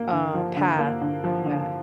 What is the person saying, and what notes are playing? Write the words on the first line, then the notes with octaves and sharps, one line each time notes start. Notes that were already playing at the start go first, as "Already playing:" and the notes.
uh, path. Yeah.
Already playing: A#3
D3
F3
D3
A#3
D3
F3
D3